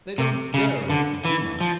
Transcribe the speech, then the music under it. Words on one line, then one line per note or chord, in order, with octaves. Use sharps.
They don't dare arrest the Duma!
C3
C#3
D3
E3
F3